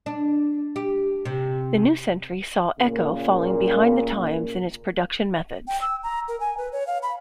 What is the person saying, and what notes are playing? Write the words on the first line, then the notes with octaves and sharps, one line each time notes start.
The new century saw the "Echo" falling behind the times in its production methods.
D4
G4
C3
A#2 C#3 A#3
G5
E6
A#5
A#4
G#5
B4
C#5
F5
B5